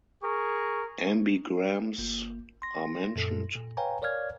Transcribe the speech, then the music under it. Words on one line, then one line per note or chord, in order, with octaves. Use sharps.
Ambigrams are mentioned.
G#4 A#4 C#6
G1 A#3
C6 A#6
F#2 A#2 A4
A#2
B4 C#5 F5 G5 G#5 A#5
A#4 C#5 D5 F5 F6 G#6